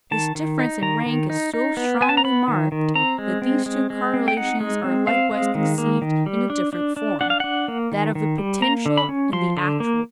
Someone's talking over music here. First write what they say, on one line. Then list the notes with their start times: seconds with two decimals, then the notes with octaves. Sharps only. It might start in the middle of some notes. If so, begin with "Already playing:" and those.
This difference in rank is so strongly marked, that these two correlations are likewise conceived in a different form--that of the potential and the actual.
0.11 D#3 A5
0.35 D#3
0.59 D#4
0.82 D#3 A#5
1.06 D#3
1.30 D#4
1.54 D#4
1.77 B3
2.01 B3 G#5
2.09 A5
2.17 A#5
2.24 B3 B5
2.48 D#3
2.72 D#3
2.95 C4 A#5
3.18 G#3
3.42 C4
3.66 G#3
3.90 G#3
4.14 C4
4.28 G5
4.37 D#4 F#5
4.60 G#3
4.84 C4
5.07 C4 F5
5.31 G#3
5.55 D#3
5.78 A#3
6.02 D#3
6.26 G3
6.50 D4
6.73 D4
6.96 D4
7.21 D4 F#5
7.30 F5
7.40 D4 F#5
7.68 A#3
7.92 D#3
8.15 D#3
8.38 G3
8.62 A#3 A#5
8.86 D3
8.98 B5
9.09 C#4
9.33 F3 C6
9.57 D3
9.80 A#3